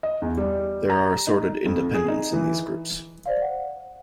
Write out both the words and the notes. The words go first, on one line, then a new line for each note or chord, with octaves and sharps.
There are assorted independents in these groups.
D#5
E2
G3
A#5
D#4
F2
G#4
D#4
E3
C5 D5 F5
F#5